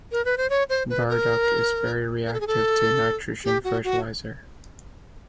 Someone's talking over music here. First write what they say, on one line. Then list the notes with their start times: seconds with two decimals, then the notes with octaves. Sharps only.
Burdock is very reactive to nitrogen fertilizer.
0.12 A#4
0.25 B4
0.37 C5
0.50 C#5
0.69 C5
0.90 B4
1.09 A#4
2.26 A#4
2.33 A4
2.40 G#4
2.47 A4
3.44 G4
3.64 F#4
3.84 F#4